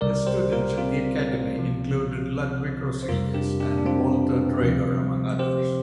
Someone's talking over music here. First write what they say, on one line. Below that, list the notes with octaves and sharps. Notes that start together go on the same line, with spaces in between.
His students at the academy included Ludwig Roselius and Walter Draeger among others.
C2 C3 G3 A#4 D5
G4 C5
F4 A#4
C4 F4
C2 C3 F3
C5
F2 C3 G3 F4 A#4
D4 G4
D4 G4
D4
C4 F4
D2 C3 F3
G4 C5